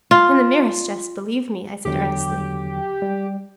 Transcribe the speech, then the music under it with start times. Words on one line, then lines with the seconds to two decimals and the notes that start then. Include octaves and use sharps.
"In the merest jest, believe me!" I said earnestly.
0.11 F4
1.85 E2 D3 F#3 G4
3.02 G3